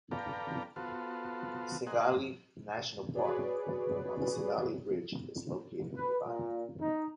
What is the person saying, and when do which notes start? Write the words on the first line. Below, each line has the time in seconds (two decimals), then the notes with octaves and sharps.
Singalila National Park on the Singalila Ridge is located nearby.
0.11 A4 B4 D5 F5 G5 A#5
0.76 B3 F4 F#4 A4 C5
1.87 A#3 G#4 C5 D#5 F#5
3.15 F#4 G#4 B4 C#5 D5
5.96 B4
6.25 A#2
6.80 D#4